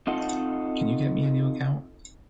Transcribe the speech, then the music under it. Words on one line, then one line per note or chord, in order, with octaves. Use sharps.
Can you get me a new account?
C4 D#4 F4 A4 D#5 F#5